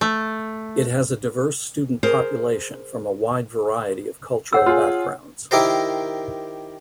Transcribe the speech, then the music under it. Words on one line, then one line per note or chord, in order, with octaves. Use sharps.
It has a diverse student population from a wide variety of cultural backgrounds.
A3
G#4 A#4 C5
C#5 F#5 E6
F4 G#4
D#3 E4 G4 A#4 C5